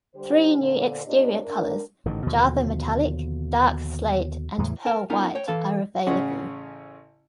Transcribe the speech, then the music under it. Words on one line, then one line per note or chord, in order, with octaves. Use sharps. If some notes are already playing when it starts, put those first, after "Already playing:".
Three new exterior colors, Java Metallic, Dark Slate, and Pearl White are available.
D3 G3 G4 C5
A#2 D3 C5
A#2 C4 D4 G4 C#5 D#5
D4 A#4
A1 G#2 D3 D#3
D#2 B2 D3 F3
E2 A2 C#3 E3
A#4 A5
B3 C#4 D#4 F4 A#4
C#5 G5
E3 A4 F5 A5
A1 C#3 C#4 F#5